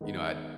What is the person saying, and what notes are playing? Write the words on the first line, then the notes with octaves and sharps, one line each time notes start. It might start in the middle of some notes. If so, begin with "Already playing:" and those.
you know, I
D#3 G#3 B3 D#4